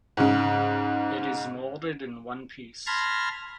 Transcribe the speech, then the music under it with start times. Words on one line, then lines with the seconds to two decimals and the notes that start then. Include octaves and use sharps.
It is molded in one piece.
0.17 G#2 C#3
2.87 A5 B5 C6 F6 G#6 A#6